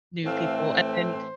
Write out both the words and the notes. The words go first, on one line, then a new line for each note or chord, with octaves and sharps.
new people and then
A2 E3 A3 C4 F5
C5